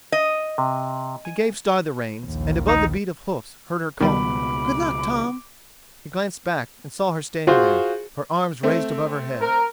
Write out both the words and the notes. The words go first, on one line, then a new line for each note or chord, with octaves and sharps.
He gave Star the reins, and above the beat of hoofs heard her call: "Good luck, Tom!" He glanced back and saw her standing there, her arms raised above her head.
D#5
C3
G#5
A#1 D#2
D#4
C#2 B2 D#3 G3 B3 B5 D6
F4 F#4 G#4 C5
A3 C4
A#4